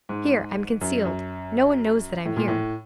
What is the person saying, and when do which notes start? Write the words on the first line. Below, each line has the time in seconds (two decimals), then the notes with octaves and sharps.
Here I'm concealed, no one knows that I'm here.
0.09 G#2
0.81 F#2
1.05 F#2
2.25 A2
2.36 A#2
2.48 A2